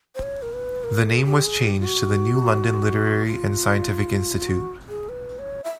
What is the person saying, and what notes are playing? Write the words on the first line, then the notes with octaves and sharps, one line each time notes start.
The name was changed to the New London Literary and Scientific Institute.
C5
C#5
A#4
B4
A#4
A4
G#4
G4
G#4
G4
F4
F#4
F4
F#4
G#4
B4
C#5
E5